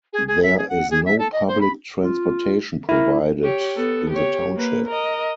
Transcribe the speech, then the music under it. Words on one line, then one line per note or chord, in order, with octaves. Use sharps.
There is no public transportation provided in the township.
G#4
G#4
E5
G#4
F#5
G#4
E5
A4
D#5
C5
B5
F4
E4 A#4
G4 C#5
B3 A4
G4 C#5
A#3 B4
A#4 D#5